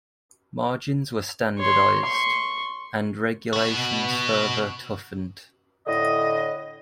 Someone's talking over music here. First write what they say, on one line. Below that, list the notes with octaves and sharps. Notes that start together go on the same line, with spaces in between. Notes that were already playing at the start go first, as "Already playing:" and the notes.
Margins were standardized and regulations further toughened.
C#5 C6
C6 C#6
B3 F#4
A2 D3 D#5